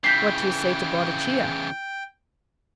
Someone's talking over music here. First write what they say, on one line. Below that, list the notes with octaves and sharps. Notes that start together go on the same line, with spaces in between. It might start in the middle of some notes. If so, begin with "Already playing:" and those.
What do you say to Boadicea?
C#3 E3 G5 G6 B6 C7